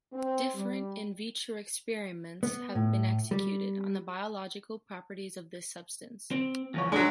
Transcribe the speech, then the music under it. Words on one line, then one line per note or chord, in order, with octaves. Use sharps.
Different “in vitro” experiments have been executed, on the biological properties of this substance.
C4
G3
B3
A2
G3
C4
E2 F3 C#5
F#3 G#3 D4